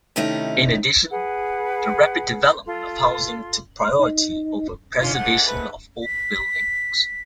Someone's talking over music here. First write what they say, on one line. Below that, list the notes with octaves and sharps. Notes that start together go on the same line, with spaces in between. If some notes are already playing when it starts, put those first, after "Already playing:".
In addition, the rapid development of housing took priority over preservation of old buildings.
C3 D#3 A3 C#4 D#4 E4
G#4 B4 F#5
F4 A4 C6
D#4
G#2 D3 C#4 F4
G#2 A3 F#5
B4
B6